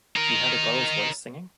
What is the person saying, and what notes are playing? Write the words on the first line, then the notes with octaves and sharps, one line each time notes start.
You heard a girl's voice singing?
D#4 A#4